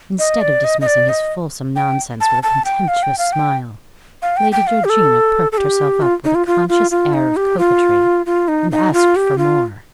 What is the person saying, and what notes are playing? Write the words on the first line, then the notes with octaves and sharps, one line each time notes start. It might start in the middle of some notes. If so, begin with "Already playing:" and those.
Instead of dismissing his fulsome nonsense with a contemptuous smile, Lady Georgina perked herself up with a conscious air of coquetry, and asked for more.
D#5
D5
D#5
D#5
D5
D#5
G5
A5
A5
G5
F5
G5
F5
G5
F5
G5
G5
F5
G4
A4
A4
G4
F4
D#4
F4
F4
F4
F4
D#4
G4
F4
F4
D#4
D#4
F4
G4
F4